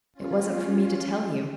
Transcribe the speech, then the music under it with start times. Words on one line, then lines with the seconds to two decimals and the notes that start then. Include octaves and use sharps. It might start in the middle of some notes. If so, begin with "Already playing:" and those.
"It wasn't for me to tell you."
0.13 C#4 F4